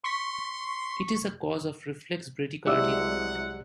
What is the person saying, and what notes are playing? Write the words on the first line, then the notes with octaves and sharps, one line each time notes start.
It is a cause of reflex bradycardia.
C6 C#6 B6
C2 F#3 G#3 E4 G4 D5 F#5 E6